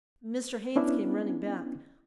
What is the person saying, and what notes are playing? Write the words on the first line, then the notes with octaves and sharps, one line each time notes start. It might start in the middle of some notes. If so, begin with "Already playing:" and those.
Mr. Haynes came running back.
B3 C#4 D4 E4